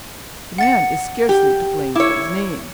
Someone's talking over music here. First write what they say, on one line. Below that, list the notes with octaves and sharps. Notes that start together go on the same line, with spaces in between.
The man is scarcely to blame for his name.'
F#5 A6 C#7
G4
E4 C#5 D6 E6